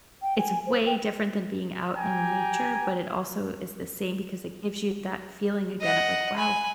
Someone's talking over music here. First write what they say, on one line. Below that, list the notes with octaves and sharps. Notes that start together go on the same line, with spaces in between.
it's way different than being out in nature, but it also is the same because it gives you that feeling again of like, "Wow.
G5
G#5
C5
G5
G4 G5 G#5 A#5
D#5 F#5
G#5 B5